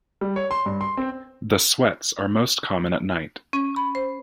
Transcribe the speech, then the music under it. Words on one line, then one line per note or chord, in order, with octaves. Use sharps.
The sweats are most common at night.
G3
C#5
C6
G2
C6
C4
C#4
B5
C5